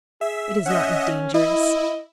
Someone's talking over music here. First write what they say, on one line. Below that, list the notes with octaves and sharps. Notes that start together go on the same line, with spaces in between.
It is not dangerous.
G#4 E5
C#4 D#5 E5 F#5
E4 D#5